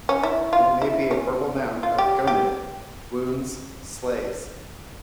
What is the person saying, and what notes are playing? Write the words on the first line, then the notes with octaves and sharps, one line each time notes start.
It may be a verbal noun of "gonid" 'wounds, slays'.
C#4
E4
F4
E4
C#4
F4
G4
G4